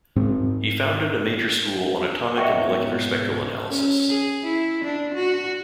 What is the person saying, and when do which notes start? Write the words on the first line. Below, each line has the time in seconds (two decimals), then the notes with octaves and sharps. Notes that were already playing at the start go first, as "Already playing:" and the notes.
He founded a major school on atomic and molecular spectral analysis.
0.16 G#2 C4
2.37 G#2 B2 F#4 C#5 D#5 E5 G5
3.70 C#4
4.09 G#4
4.44 E4
4.84 D4
5.14 F#4